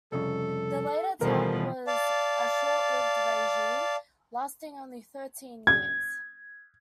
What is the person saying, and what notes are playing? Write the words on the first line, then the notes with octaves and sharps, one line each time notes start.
The Later Tang was a short-lived regime, lasting only thirteen years.
C2 F2 C#3 A4
D#2 B2 E3 F3 G3 A4 A#4 C5
D5 F5 A5
G#6